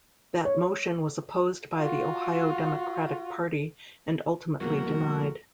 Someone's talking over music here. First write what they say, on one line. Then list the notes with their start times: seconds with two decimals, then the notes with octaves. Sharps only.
That motion was opposed by the Ohio Democratic Party and ultimately denied.
0.45 C#5
1.76 F4 F#4
4.61 F2 B2 G3 A#3 F#4 A#4